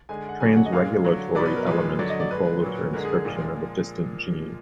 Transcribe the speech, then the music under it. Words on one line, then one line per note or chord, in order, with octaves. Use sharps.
Trans-regulatory elements control the transcription of a distant gene.
D3 G#3 G#5
F#5
D3 F#3 G#5
F#5
D#5
A#2 G#3 F5
D3 F#3
B2 F#3 D5
B4
A#4
A#2 F3 G#3 B4
D3 F#3 D5
D#5
D5
D3 G#3 B4
A#2 F#3
D3 G#3 A#4
G#4
G#4
A#2 F3 G#3 F4